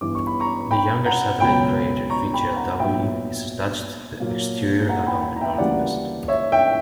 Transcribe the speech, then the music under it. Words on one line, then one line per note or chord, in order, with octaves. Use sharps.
The younger satellite crater FitzGerald W is attached to the exterior along the northwest.
G2 E3 B3 D6
C#6
B5
A#5 C#6
G5 B5
F#5 A#5
C#2 B2 F#3 G5 B5
A#5 C#6
G5 B5
F#5 A#5
A#2 F#3 B3 E5 G5
A#2 F#3 A#3
F#5 A#5
G5 B5
A#5
E5 G5
D2 C#3 E3 G3 A#3 D5 F#5
C#5 E5
E5 G5